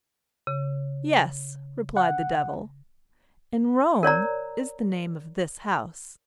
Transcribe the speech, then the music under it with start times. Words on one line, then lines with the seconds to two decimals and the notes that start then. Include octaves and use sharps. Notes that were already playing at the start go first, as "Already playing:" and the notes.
"Yes," replied the devil, "and Rome is the name of this house."
0.47 C#3
1.97 F#5
4.03 A#4 C#5 D5 A#5